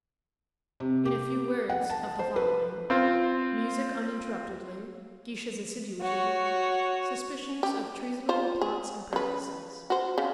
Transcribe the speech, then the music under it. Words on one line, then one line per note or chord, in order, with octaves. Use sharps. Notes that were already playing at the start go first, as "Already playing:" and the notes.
"In a few words, of the following: music uninterruptedly; Guiche's assiduity; suspicions of treasonable plots and practices."
C3
G4
F#5
A5
C5
B4
C4 F4 C5
F#4 C#5
G4
F4 C5
G#4
C#3 B4
F#4 C5
C#3